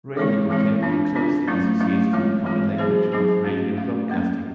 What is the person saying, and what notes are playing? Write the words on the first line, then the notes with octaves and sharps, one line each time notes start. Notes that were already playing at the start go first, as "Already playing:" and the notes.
Radio came to be closely associated in common language with radio broadcasting.
E3 G#3 C4 E4
E3 G#3 C4 E4
B3 D4 F4
B3 D4 F4
F#3 A3 C#4 E4
F#3 A3 C#4 E4
E3 G#3 C4 F4
E3 G#3 C4 F4
F#3 B3 D#4 G#4 C5
F#3 B3 D#4 G#4 C5
A3 C#4 F#4
A3 C#4 F#4
F#3 A#3 C#4